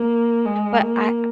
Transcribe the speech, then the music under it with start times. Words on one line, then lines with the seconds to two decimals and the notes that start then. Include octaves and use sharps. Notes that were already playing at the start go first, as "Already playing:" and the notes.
but, I
Already playing: A#3
0.46 G#3
0.83 A#3